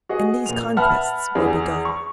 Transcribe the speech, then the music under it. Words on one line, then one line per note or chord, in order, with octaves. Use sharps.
And these conquests were begun.
F#4 G#4 D#5
A#2 F7
B4 E5 F#5 A5 B5 F6
E2 G#4
C#6